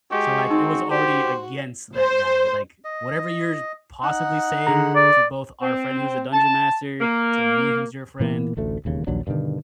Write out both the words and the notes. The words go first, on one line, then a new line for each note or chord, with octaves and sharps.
So, like, it was already against that guy, like, "Whatever you're possibly saying to both our friend who's a dungeon master, to me who's your friend,
G#3 F#4 G4
C4 D#4
F#4 G4 C5
C5
D#5
D#4 F#5
D3 G#4 A#5
D5
C4
A5
A#3
A#2 E3 A#3 B3
A1 D2 A3
E1 D#2 C#3
A#1 D#2 F#3 D4
G2 B2 D3 D#3